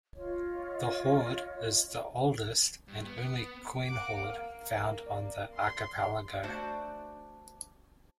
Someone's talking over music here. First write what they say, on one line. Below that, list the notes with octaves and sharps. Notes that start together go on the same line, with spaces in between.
The hoard is the oldest and only coin hoard found on the archipelago.
F4 C#5 D#5
G2
B3
A#3 F#5 D6
A#3 F5 F6
D5
C6
A3 D4 F#4 C5 D5